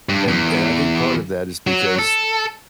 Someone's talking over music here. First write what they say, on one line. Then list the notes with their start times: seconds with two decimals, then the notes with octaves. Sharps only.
and and I think part of that is because
0.09 G2
0.28 E2
1.67 F#3
1.99 A4